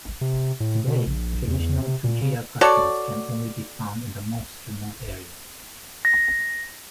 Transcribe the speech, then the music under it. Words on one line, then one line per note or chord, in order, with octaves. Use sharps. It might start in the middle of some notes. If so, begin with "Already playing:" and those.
Today, traditional Tujia customs can only be found in the most remote areas.
C3
A2
B2
A#1
E2
E2
C3
A#2
C#3
F#4 A4 C#5 D5
A#6